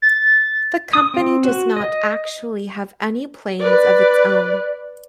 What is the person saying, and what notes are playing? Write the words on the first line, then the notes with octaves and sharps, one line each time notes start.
The company does not actually have any planes of its own.
A6
D#6
C4
F#4
D#5
B4 D5